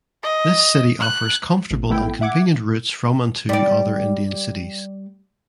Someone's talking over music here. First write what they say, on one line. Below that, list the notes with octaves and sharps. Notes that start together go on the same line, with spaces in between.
This city offers comfortable and convenient routes from and to other Indian cities.
D#5
F#6
A1
A1 A3 B3 E4 G5
E5 F#5 D6 G#6
G3 D5